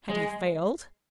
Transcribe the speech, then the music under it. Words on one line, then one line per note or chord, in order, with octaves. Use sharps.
Had he failed?
G#3